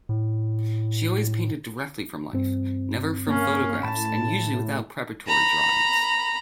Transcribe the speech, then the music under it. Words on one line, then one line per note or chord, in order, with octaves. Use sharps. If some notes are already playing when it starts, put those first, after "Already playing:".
She always painted directly from life: never from photographs and usually without preparatory drawings.
A2
G2 C4
A#3 C#4 F5
A2 A5 B5
A#5 B5